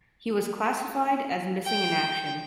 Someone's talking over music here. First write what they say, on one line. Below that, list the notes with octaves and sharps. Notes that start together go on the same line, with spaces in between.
He was classified as missing in action.
G5